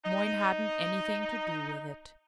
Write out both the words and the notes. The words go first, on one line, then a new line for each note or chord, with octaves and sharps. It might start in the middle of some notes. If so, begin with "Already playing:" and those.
Moyne hadn't anything to do with it.
D#4 D#5